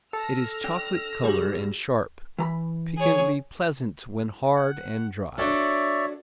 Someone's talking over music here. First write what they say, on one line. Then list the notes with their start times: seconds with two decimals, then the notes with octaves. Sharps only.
It is chocolate-color and sharp, piquantly pleasant when hard and dry.
0.13 A4 E6 F6 A#6
0.64 D4 G5
1.24 C2 G3 F#4 G#4
2.39 E3 A#5 B5
2.97 G#4 C#5
4.56 F#5
5.38 D4 F#4 A4 C#5 D5 E5